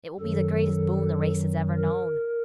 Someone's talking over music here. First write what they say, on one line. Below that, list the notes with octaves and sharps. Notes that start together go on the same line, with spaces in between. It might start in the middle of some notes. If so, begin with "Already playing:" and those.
It will be the greatest boon the race has ever known.
F#2 D#3 F#3 A4
A#4